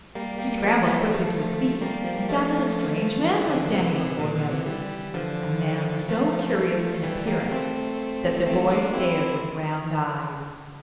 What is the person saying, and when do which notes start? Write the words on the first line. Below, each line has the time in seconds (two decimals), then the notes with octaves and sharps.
He scrambled quickly to his feet and found that a strange man was standing before him--a man so curious in appearance that the boy stared with round eyes.
0.15 G3 A#3
0.39 G3 A#3
0.63 F3 A3
0.86 E3 G3
1.10 F3 A3
1.81 G3 A#3
2.04 F3
2.17 G3
2.29 F3 A3
3.24 E3 G3
3.48 D3 F3
3.71 C3 E3
3.95 C3 E3
4.19 A#2 D3
4.35 A#2 D3
4.50 C3 E3
4.66 E3 G3
5.14 D3 F3
6.09 F3 A3
7.03 E3 G3
7.27 G3 A#3
7.51 A3 C4
8.46 A3 C4
8.70 A#3 D4
8.94 C4 E4